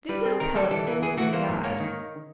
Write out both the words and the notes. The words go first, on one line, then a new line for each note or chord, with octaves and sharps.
This little pellet falls in the yard.
G3 B4
C4
D#3 A#4
G3 A4
E3 A4
E3
E3 G#4
E3 F#4
A#3 C5
G#2
A#3 C#5
D#3